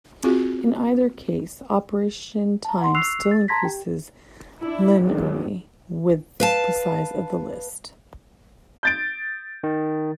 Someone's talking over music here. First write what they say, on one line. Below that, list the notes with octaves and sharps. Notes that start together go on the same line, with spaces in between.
In either case, operation time still increases linearly with the size of the list.
C4 F4 F#4 G#4
A5 A#5
F#5 C6
C#6 E6 F#6 C7 F7
A6
A5 A#5 C6 G#6 A#6 B6
G4 G5
D4 E4
G#1 F#3
B4 F5 A5
G6 A6 D7
D#3